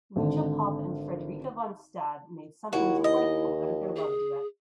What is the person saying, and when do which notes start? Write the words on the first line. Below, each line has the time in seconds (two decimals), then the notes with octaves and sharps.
Lucia Popp and Frederica von Stade made something "delightful" out of their love duet.
0.16 G#1 D3
2.73 D#2 E4 F#4
3.04 D#5
3.96 G#4